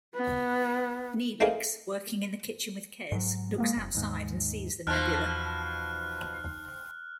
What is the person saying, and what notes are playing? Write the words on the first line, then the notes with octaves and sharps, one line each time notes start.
Neelix, working in the kitchen with Kes, looks outside and sees the nebula.
B3
A3 A#3 C4 D#4 G#4 A#4
G#2 F#3
G#3 A#3 B3
F#1
D#2 G#2
E2 B2 F3 D#4 A5 F6 F#6